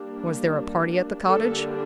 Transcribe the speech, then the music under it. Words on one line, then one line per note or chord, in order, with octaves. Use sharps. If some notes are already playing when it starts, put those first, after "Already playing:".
"Was there a party at the cottage?"
Already playing: G3 A#3 D4
D3 G3 A#3 D4 A4